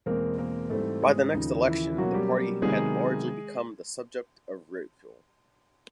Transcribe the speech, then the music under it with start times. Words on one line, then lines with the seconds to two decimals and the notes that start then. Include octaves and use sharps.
By the next election, the party had largely become the subject of ridicule.
0.06 E2 B2 G#3 A#3 C4 A#4
0.38 A#3 A#4
0.70 G#2 E3 G3 A3 C4 A4
1.02 G#3 G#4
1.34 D#2 C#3 F3 A#3 D#4
1.66 E3 E4
1.98 B2 F#3 A#3 C#4 F#4
2.14 G3 G4
2.62 C3 D#3 F#3 G#3 B3 G#4